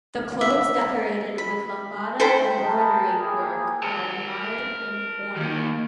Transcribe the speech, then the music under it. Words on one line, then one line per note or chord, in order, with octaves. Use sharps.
The clothes decorated with Lambada embroidery work are admired in foreign.
E5
B5
A4 C5 G5 B5
G#4 A#4 B4 D#5 G5 A5
A#3 E4 G4 G#4
A#4 A5
D#3 A#3